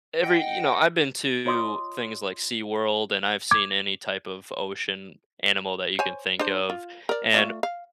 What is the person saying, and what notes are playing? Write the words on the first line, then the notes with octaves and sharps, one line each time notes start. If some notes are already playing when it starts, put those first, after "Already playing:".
Every You know, I've been to things like SeaWorld, and I've seen any type of ocean animal that you can think of, and
D#5 F#5 G5
F4 C#5 D#5 C6 D6 D#6
D6 G#6
C5 C#5 G#5
D4 C5
F4
A#4 D5
A3 F4 D5
F5